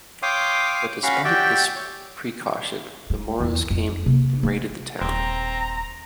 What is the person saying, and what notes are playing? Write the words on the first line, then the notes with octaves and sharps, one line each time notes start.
But despite this preacaution, the Moros came and raided the town.
C#5 F5 G5 C6 D6 D#6
C#4 F#4 F5 B5 C#6
F#4 G4 D5 E5 G5
C#5
G#3
E2
F2
C3 A#3
A3
D#1 C4 A#5